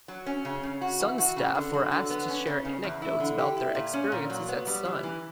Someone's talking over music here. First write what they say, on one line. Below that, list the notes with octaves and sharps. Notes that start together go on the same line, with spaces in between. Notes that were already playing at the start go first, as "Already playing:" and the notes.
Sun's staff were asked to share anecdotes about their experiences at Sun.
F#3
C#4
C#3
C#3
F#4
E3
F#4
C#3
D3
F#3
D3
B3
C#4
C#3
C#3
E2
E4
D3
G4
E4
A#2
C#4
A#2
F#3
B3
G3
E3
E3